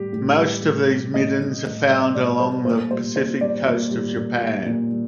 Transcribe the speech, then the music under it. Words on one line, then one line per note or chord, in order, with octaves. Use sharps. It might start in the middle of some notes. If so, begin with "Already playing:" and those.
Most of these middens are found along the Pacific coast of Japan.
Already playing: A2 G3 G4
A2
G3
A2
G3
A2 D#5
G3
A2
G3 D#5
A2 D5
G3 C5
A#2 C5
G3 C5
A#2 C5
G3 D5
A#2
G3
A#2
G3
A#2
G3